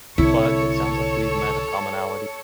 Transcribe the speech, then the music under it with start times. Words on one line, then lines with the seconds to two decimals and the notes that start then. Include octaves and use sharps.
but it sounds like we've met a commonality.
0.18 C2 D3 E4 A4 C#5